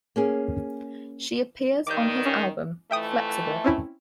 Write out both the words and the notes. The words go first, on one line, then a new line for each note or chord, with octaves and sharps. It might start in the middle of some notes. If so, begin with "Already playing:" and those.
She appears on his album "Flex-Able".
A#3 C#4 G#4
G2 D#3 D6 G6
C#4
F2 E3 A3 E5 G5 D#6
C4 C#4 E4